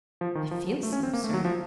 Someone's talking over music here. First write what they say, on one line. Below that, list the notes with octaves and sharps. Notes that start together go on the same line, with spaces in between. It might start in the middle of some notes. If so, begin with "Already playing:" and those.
"I feel so, sir."
F3
D#3
F3
F#3
A3
C#4
C4
A#3
A3
F#3
F3